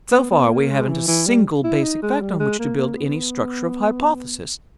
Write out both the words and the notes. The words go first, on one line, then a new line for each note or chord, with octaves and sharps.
So far we haven't a single basic fact on which to build any structure of hypothesis.
B3
B3
A#3
G#3
E3
E3
G3
E4
D#4
G#3
G3
G#3
A#3
A#3
B3